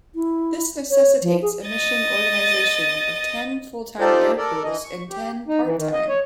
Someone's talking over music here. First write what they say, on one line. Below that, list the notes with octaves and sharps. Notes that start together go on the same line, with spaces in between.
This necessitates a mission organization of ten full-time aircrews and ten part-time.
E4
C#5
F3
G#4
D#5 A6
D#4 F4 G4 A4 C5 D5
A4 A#4 D5
E3 D#5
C#6
G4
D#4
E3
D#3
D#5
C#5